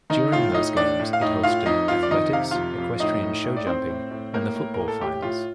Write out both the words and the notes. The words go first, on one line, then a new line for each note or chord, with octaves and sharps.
During those games, it hosted athletics, equestrian show jumping, and the football finals.
D#3 D#4 D#5
A2 F4 F5
A2 D#4 D#5
A2 D4 D5
A2
F5
A2 D#4 D#5
A2 F4 F5
F2 D#4 D#5
F2 F4 F5
D5
D#3 D#4 D#5
C3 F5
F2 F4 F5
F2
A2 D#4 D#5
A2
A2
D5
A2 C4 C5
A2
A2
A2 A#3 A#4
A2
A2 A#4
A4
A2 G4
A2 F4